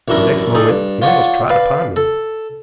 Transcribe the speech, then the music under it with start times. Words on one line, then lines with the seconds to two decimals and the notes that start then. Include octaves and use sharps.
The next moment he almost trod upon me.
0.08 A1 F#2 D4 E4 A#4
0.55 D#4 G#4 A4 D5
0.69 G2
1.02 F4 C#5 D5 F#5
1.50 B4 D5 F5
1.96 A4